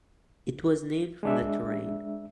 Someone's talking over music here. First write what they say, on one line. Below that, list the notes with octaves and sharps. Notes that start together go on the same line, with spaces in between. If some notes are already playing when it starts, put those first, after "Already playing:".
It was named from the terrain.
G#3 D4 E5